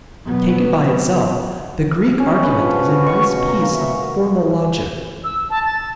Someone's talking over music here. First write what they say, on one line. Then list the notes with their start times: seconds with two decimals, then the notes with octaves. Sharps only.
Taken by itself, the Greek argument is a nice piece of formal logic.
0.24 B2 F#3 B3
2.20 C#4
2.43 B4
2.58 F3
2.74 F#5
2.89 F#4
3.07 C#6
3.30 B2
3.48 A#5
3.62 A#3
3.74 E5
5.24 E6
5.50 A5
5.66 A6